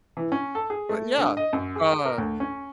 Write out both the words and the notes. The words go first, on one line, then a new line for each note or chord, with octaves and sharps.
But yeah, uh
E3
C#4
A4
G#4
A3
D3
D#5
F#2
G#4
A#4
D2
C#4